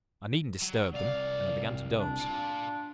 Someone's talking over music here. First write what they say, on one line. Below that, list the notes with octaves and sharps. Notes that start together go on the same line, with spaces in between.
I needn't disturb them; and I began to doze.
F#3
C2 D5 F5
D4
F4 D5